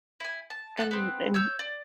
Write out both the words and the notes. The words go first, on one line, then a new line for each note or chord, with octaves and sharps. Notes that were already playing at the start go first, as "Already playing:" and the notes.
And and
E4 G#5
A5
A4 F#5 A5 F#6
B3 C4
C#5 E6 G6
D5